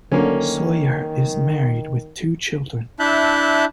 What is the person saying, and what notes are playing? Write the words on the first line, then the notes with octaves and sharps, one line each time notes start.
Soyer is married with two children.
D3 D#3 F#3 A#3 C#4
D4 E4 E5 A5 F#6 G6